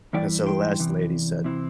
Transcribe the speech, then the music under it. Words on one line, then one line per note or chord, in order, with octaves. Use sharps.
And so the last lady said
E2 E3 G3 E4 D5 G5
G5 C6
E2 C3 E3
C3 E3 C4 E4